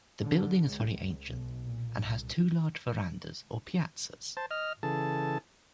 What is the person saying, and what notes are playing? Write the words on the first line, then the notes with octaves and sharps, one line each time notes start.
The building is very ancient and has two large verandas or piazzas.
D3
C#2
B1
A#2
C2
C5 A5
D#5 F6
C#3 E3 G#4 A4 A5